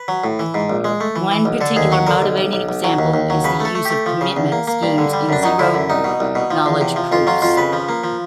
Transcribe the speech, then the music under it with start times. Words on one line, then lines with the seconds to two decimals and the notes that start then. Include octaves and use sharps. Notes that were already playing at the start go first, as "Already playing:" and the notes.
One particular motivating example is the use of commitment schemes in zero-knowledge proofs.
Already playing: B4
0.08 F#3
0.24 A2
0.39 E3
0.54 G#2
0.70 A#1
0.84 G#3
1.01 A3
1.16 E3
1.31 E3
1.45 B1
1.61 D3 A4
1.76 D#2 G#4
1.92 F#3 F#4
2.07 D3 A#4
2.22 B1
2.38 B1
2.53 B1
2.69 B1
2.84 F#3
2.99 D#2
3.14 D#2
3.30 F#3
3.44 C#3 B4
3.60 A3 A4
3.75 A3
3.85 A3 G4
4.06 F3
4.21 C#3
4.37 E2
4.52 A#3
4.68 A#3
4.83 G2
4.98 D3
5.13 G3
5.29 F#2 D4
5.43 F#3 D#4
5.59 D3 E4
5.74 F#2
5.90 C2 D#4
6.04 B2
6.20 C2
6.35 B2
6.51 F3
6.66 E2
6.81 C3
6.96 F3
7.12 F2 F4
7.27 F#3 F4
7.42 F2 F4
7.57 C#3 B4
7.73 F3
7.89 A#3
8.04 F3